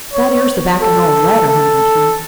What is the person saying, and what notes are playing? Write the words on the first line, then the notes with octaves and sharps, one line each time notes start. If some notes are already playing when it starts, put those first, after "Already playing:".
"That ere's the backin' o' a letter," muttered he.
C#5
A4
A4